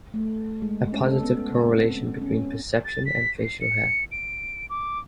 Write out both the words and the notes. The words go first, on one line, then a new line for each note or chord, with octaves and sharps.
A positive correlation between perception and facial hair.
A3
G#3
C#4
A4
B3
C#3
C4
C#4
A6
B6
C7
C#7
D7
D6